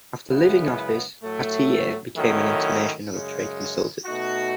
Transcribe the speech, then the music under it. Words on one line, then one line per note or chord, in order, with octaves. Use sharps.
After leaving office, Atiyeh became an international trade consultant.
F#2 C#3 G#3 B3 E4
A2 F#3 A3
D#3 F#3 A3 C#4 E4
F#2 C#3 G#3
B2 A3 D#4 F#4